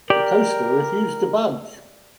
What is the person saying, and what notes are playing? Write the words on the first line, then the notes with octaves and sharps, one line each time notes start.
The coaster refused to budge.
G4 A#4 D5